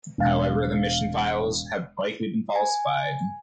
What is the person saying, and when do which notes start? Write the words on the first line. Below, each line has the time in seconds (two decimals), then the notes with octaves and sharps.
However, the mission files have likely been falsified.
0.18 E1 F5
2.55 G#5